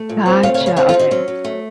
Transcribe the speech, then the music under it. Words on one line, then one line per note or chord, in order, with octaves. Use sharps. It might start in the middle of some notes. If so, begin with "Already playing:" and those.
Gotcha. Okay.
Already playing: A3
A#2
C4
A3 C#5 F5
C#5 F5
C#3
C#5 F5
C4 C#5 F5
F4 A4
C4
D#4 F#4
F#3 C#4
F#3
A3